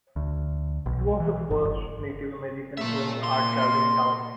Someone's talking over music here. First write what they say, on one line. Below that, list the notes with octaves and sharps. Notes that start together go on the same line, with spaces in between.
It was the first Native American-owned art gallery in Taos.
D2
B1
E3
G1
G1
A#2 A3 E5
C6